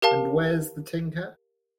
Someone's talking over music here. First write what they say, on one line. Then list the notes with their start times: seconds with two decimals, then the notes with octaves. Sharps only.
And where's the tinker?
0.02 G4 A#4 F5 A5